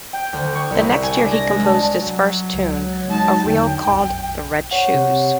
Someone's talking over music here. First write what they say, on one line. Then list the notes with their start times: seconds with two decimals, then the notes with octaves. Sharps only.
The next year he composed his first tune, a reel called "The Red Shoes".
0.13 G5
0.33 D2
0.55 C#6
0.71 C2
1.03 G#5
1.19 D4
1.32 A#6
1.50 G#3
1.65 A5
2.01 F#3
2.54 C#2
3.08 G#3 D#4 A5
3.45 E2 D3 G5
3.87 B1 F#2
4.71 C#5 F#5
4.94 C3